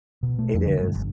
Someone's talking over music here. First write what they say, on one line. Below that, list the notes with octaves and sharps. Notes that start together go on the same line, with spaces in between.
It is.
B2
A3
F2
D3
G2
G1